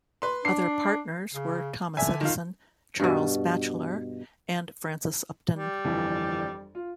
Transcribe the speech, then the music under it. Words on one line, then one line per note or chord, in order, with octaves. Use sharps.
Other partners were Thomas Edison, Charles Batchelor, and Francis Upton.
B4 C6
D4 C7
C#3
D3 E5 G#5
D#3 F4
G2 B2
G3
G1 F2 E3
F4